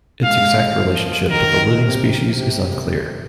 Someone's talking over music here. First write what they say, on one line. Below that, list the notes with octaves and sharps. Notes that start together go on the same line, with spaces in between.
Its exact relationship to the living species is unclear.
G#3 F5
F3
D#3 A#4
C3
C3